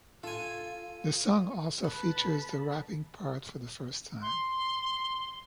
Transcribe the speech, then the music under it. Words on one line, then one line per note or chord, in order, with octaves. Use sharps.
The song also features the rapping part for the first time.
F4 A4 G#5
B4 A5 B5
C6